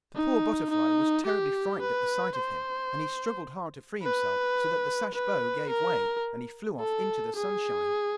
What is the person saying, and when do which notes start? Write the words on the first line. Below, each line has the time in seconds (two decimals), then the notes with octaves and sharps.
The poor butterfly was terribly frightened at the sight of him, and he struggled hard to free himself, so that the sash bow gave way, and he flew off into the sunshine.
0.15 D#4
0.71 D#4
1.26 G4
1.81 B4
2.36 C5
4.03 B4
5.14 B4
5.69 A#4
6.80 A4
7.36 G#4